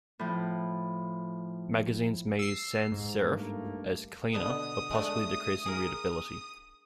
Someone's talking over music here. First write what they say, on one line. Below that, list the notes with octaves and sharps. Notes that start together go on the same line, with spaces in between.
Magazines may use sans-serif as "cleaner", but possibly decreasing readability.
A2 F3
E6 C7
G#2
G2 A3 A#3
B2 D3 B3 D#6
G#3 A3 D4
G#4 A#4